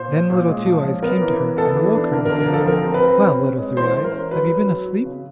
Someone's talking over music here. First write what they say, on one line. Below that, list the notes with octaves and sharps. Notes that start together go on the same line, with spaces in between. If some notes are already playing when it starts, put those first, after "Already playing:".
Then Little Two-eyes came to her, and woke her and said, 'Well, Little Three-eyes, have you been asleep?
Already playing: A#2 C5
C#4
A#2
G#3
F3
C#4
B3 A#4
E3
E3
B3 A4
E3
D4
D3 A#4
A#4
D3
A#4
F3
A4
C4 A#4
C4
B4
C4
C#4
C#4
G#3
E3 C5
C#4
A#4
C#4
F#3 B4
F#3
F#3
F#3
C#3